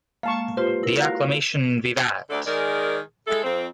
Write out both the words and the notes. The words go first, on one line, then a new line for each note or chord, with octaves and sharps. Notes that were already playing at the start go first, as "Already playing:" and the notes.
The acclamation Vivat!
G#3 A#3 F5 A5 C#6
F4 G4 B4 C5
E4 A#4
F#4 A#4 F5
D2 D3 A3 A4 D5
D#3 G#3 G#4 A#4 D5
G#3 E4 A4
F2 C4